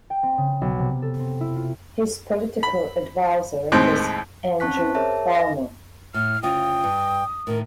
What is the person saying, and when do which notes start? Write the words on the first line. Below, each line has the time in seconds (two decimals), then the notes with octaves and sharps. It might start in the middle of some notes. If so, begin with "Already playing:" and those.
His political adviser was Andrew Palmer.
0.10 G5
0.23 C4
0.38 C#3
0.62 B1
0.79 C3
1.02 A4
1.19 C4
1.41 E4
1.56 F4
2.63 B5
3.72 D#2 A2 G#3 C4
4.60 C4 C#4 A5 C#6 F#6 B6
4.73 C5 A5
4.95 G#4 A#4 C#5 E5 A5
5.35 D#5 F5 A#6
6.14 A2 F6
6.43 D2 C#3 F4 G5 D#6
6.84 G2
7.47 A2 D#3 A#4